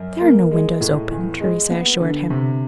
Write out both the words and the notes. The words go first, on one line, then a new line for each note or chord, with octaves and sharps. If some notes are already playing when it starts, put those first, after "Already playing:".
"There are no windows open," Theresa assured him.
Already playing: F#2
A#3
G#3
A2
E2
G#3
B3
D3
C3